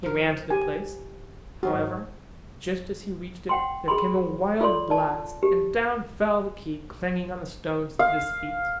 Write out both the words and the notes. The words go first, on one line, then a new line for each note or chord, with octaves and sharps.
He ran to the place, however: just as he reached it there came a wild blast, and down fell the key clanging on the stones at his feet.
F3 A#4
G4 G#5
G#2 F#3 F4 F#4
F#5 G5 C6
G#4 B5 C6
F4 A4 C#5 D5 C6
D5 A5
G4
F5